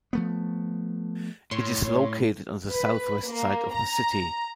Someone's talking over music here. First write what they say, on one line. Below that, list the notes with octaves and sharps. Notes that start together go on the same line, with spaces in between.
It is located on the southwest side of the city.
F3 A3 B3
A2 C#5 C6
B4
A#3
A#5